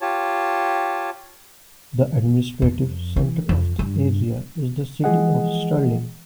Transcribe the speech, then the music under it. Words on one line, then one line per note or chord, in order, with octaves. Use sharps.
The administrative centre of the area is the city of Stirling.
F4 G4 C#5 A5
F2
E3
F2
G2
E3 F3 G#3 G#4 D#5 F#5